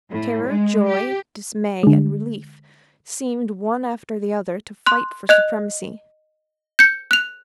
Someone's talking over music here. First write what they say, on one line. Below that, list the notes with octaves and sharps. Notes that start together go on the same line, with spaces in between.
Terror, joy, dismay, and relief seemed, one after the other to fight for supremacy.
A2
G#3
G4
D3 G#3
C6 F#6
D#5 F#6 F7
G6 C#7
F#6 F7